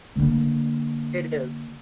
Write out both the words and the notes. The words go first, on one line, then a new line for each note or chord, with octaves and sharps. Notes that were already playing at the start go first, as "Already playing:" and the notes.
It is.
D3 A#3